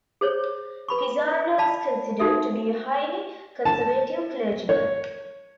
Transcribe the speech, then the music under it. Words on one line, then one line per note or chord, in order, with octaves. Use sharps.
Pizzardo was considered to be a highly conservative clergyman.
G#4 C5 C#5
B4 B5 C#6
D5 F5 A5 B5
D#4 F#4 A4 E5
A5
C#5